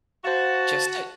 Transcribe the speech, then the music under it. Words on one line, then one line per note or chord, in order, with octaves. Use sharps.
just to
F#4 C5 F5 A5